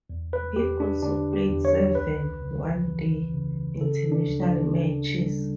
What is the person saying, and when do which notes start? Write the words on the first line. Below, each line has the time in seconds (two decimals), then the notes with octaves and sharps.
He also played seven One Day International matches.
0.10 E2
0.33 B4
0.56 E2 G4
0.80 D4
1.02 D3 D4
1.33 G4
1.49 E2
1.65 C#5
1.95 C#2 B4
2.42 C#3
2.88 E3
3.34 C#3
3.80 C#3 A4
4.12 D4
4.27 D2
4.42 D4
4.73 C#3
5.20 G3